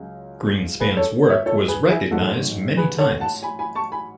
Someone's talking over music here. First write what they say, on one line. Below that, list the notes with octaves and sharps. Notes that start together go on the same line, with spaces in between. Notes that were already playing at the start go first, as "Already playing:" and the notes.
Greenspan's work was recognized many times.
Already playing: C#2 C#3 F#3
G#4 B4
A4 C#5
C#5 E5
A4 C#5
G#4 B4
E4 G#4
A1 G#2 F#3 F#4 A4
G#4 B4
A4 C#5
F#5 A5
G#5 B5
G#5 B5
A5 C#6
G#5 B5